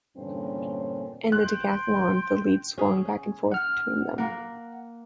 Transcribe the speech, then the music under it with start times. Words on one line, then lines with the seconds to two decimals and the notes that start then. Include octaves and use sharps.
In the decathlon, the lead swung back and forth between them.
0.17 E2 G2 A#2 D3 C4 C#4
1.32 G5 C6 F#6
2.78 C#4 G#4
3.52 F#5 F6
4.18 A#3 A#4 F#5